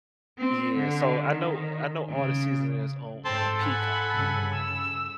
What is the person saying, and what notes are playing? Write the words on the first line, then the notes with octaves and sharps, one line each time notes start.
Yeah, so I know I know all the season is on on Peacock.
C4
D3
D#3
C#3
G#2 C4 A4 A5 C6
F#5 G#5 B5
G2 C#3
E6